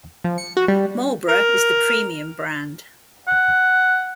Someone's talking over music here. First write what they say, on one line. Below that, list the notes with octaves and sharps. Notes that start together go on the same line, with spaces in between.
Marlboro is the premium brand.
F3
C#7
F#4
G3
A#4
F#5